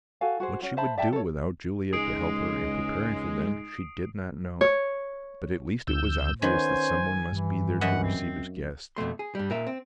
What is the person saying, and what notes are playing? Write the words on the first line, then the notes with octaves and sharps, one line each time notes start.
What she would do without Juliet to help her in preparing for them, she did not know, but at least it was obvious that some one must be there to receive his guests.
F#4 A4 F5 G#5
F#4 G#4 C5
C#4 F#4
C5 E5 A5 B5
D5 E5 G5 A5
A4 C#5
C#2 G#3 D#4 D#6 C7 D7
C#5
D2 E6 G6
D#3 B3 C#4 C5 G#5
G2 E3
F#2 D#5 E5 F#5
C4
F2 B2 A3 C6
G#4
G2 G3
A#2 A#4 E5
C4